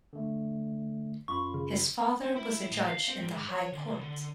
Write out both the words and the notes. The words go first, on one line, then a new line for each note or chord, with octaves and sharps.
His father was a judge in the High Court.
D3 A3
F#2 F4 B5 C#6
C#3
C#4
E4
A2
F5
C4
G#2
C#5
D3
C2
D3